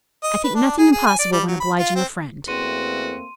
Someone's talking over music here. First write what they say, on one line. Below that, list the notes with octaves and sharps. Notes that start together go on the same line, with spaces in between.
"I think nothing impossible when obliging a friend."
D#5
B4
D4
G#4
G#4
G#5
D5
G3
F#3
B5
F4
C4
E2 A3 A#3 C4 F#4 C6 D#7